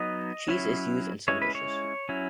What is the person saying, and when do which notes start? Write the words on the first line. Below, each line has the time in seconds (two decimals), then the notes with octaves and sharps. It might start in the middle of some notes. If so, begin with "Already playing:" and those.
Cheese is used in some dishes.
Already playing: F#3 B3 D#4 D#5
0.48 F#3 C#4 E4
1.28 G#3 C#4 E4 C#5
1.42 B4
1.55 C#5
2.09 F#3 C#4 E4